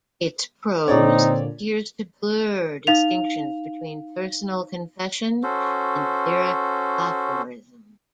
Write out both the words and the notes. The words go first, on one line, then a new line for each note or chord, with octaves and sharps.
Its prose appears to blur distinctions between personal confession and lyric aphorism.
A#2 D3 C4 D#4 C#5 D5
D#4 F5 F7
C#4 F#4 A4 C5